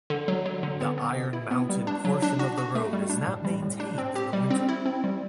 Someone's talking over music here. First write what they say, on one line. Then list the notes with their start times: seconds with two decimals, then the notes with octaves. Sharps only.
The Iron Mountain portion of the road is not maintained in the winter.
0.10 D3
0.28 F#3
0.46 F#3
0.63 D3
0.81 B3
0.98 B3
1.16 B2
1.33 E4
1.51 B3
1.69 G3
1.87 D4
2.05 F#3
2.22 D4
2.39 F#4
2.58 F#4
2.75 A3
2.93 G3
3.10 D4
3.27 A2
3.45 G3
3.62 A2
3.80 D4
3.98 C4
4.15 G4
4.33 G3
4.50 C4
4.69 E4
4.86 C4
5.04 G3